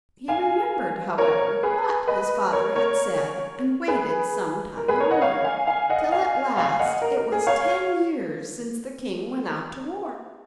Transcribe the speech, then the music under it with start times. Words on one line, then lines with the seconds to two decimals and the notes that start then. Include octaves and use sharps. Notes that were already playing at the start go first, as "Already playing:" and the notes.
He remembered, however, what his father had said, and waited some time longer, till at last it was ten years since the king went out to war.
0.28 F5 G#5
1.18 A#4 C#5
1.63 G#4 B4
2.07 B4 D#5
2.52 A#4 C#5
2.75 A#4 C#5
3.88 G#4 B4
4.77 A#4
4.88 G#4 B4
5.00 A#4 C#5
5.11 D#5 F#5
5.22 C#5 F5
5.44 F5 G#5
5.67 F5 G#5
5.89 D#5 F#5
6.12 F5 G#5
6.57 F5 G#5
6.79 D#5 F#5
7.02 A#4
7.17 A#4
7.32 G#4
7.47 C#5 F5